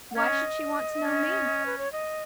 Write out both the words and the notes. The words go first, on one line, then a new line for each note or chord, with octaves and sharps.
"Why should she want to know me?"
F#5
C#4 D#5
C#4
B4
C#5
D#5